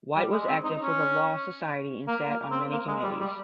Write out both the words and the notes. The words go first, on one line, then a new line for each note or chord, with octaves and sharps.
White was active for the law society and sat on many committees.
G3
G#3
C4
D#4
C#4
A#3
A#3
C4
A#3
G#3
G3
G3